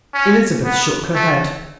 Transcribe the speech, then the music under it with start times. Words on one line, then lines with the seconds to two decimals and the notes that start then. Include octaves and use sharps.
Elizabeth shook her head.
0.14 C#4
0.65 B3
1.15 A3